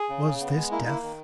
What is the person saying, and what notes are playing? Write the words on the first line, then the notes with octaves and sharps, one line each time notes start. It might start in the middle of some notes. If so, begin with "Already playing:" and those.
Was this death?
Already playing: G#4
C#3
C#3
B3
G#3
A#3 E4
D#4
A#3 E4
D#3